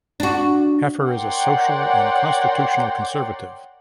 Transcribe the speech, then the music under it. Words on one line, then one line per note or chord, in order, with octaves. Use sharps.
Heffer is a social and constitutional conservative.
D4 F#4
A#4 C#5 D5 F#5 G5 C6